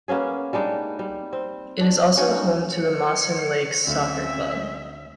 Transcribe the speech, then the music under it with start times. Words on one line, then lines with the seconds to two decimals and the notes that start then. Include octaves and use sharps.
It is also home to the Mawson Lakes Soccer Club.
0.08 A#3 B3 C#4 G#4
0.53 G3 G#3 D4 D#4
0.99 G3
1.33 C4
1.81 D4
2.17 C#4 D#4 F#4 A#4
2.76 C#5 C#7
3.87 D2 C4 C#4 E5 F5